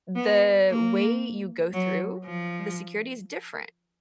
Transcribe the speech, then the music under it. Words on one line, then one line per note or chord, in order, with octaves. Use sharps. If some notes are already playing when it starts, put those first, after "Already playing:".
the way you go through the security is different,
B3
A#3
F#3
F3